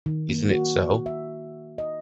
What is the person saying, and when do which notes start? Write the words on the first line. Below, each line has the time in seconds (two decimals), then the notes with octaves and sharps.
Isn’t it so?
0.06 D#3
0.29 A#3
0.50 F#4
1.06 E5
1.78 D#5